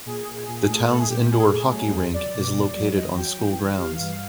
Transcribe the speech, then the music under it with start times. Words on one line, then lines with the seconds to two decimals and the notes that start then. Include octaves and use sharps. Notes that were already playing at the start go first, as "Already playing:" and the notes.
The town's indoor hockey rink is located on school grounds.
0.06 A#2 G#4
0.27 A#2
0.48 A#2
0.69 A3
0.89 A3 A4
0.99 G#4
1.10 A#2 G4
1.20 G4
1.31 A3 G#4
1.51 A3
1.72 F#3
1.92 E2
2.14 F#3 D5
2.34 B2
2.54 E2
2.75 F#3
2.97 E2 D#5
3.16 F#3 G5
3.37 E3
3.59 G3
3.79 E3 F5
3.99 G2